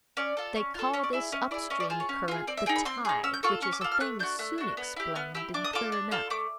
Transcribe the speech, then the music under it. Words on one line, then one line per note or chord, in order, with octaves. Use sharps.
They call this up-stream current the tide, which is a thing soon explained, and clear enough.
C#4 D5
F4 A4
C#4
F4 A4
C#4 C#5
D5
E4 G#4 E5
C#4 D#5
E4 G#4 D5
C#4 D#5
D5
F4 G#4 C5
C#5
C#4
F4 G#4
C4 D5
E5
D#4 G#4 G5
B5
C4 C6
D#4 G#4
C#4 E6
G6
F4 A4 C#6
C#4 C#6
D6
F4 A4 E6
F6
A3 F#6
D4 F#4 G6
A3 F#6
D4 F#4
B3
E4 G4
B3 F6
E4 G4 E6
D4 D6
D#6
F4 A4 D6
D4
F4 A4
A3 D6